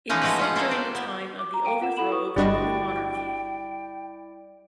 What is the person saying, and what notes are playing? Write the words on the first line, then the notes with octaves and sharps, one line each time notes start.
It is set during the time of the Overthrow of the Roman monarchy.
E3 F3 G#3 A#3 C#4 D#4
F3 G#3 A3 F#4 G4 B4
C#4 F4 F#5
A#3 F4 A4 B4
G4 D5
B3
D6
A#5
F5 G5 D7 D#7
F4 F#5 E7
E4 A4 F#5 B5 E7 F#7
E4 B4 C#6 D#6
G1 G3 D4 E4 F#4 D5 D#5 G5